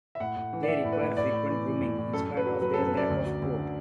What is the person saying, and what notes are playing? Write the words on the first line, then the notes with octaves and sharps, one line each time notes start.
They require frequent grooming, in spite of their lack of coat.
E5
A2 F#5
A2
E3
D5
E3 E5
A2
B4
A2
A2 D5
A2
E3
E3
A2
A2
F#2 A4
F#2
B4
F#3
F#3 B4
A4
F#2
B4
F#2 D5
D2
F#3
D2
D3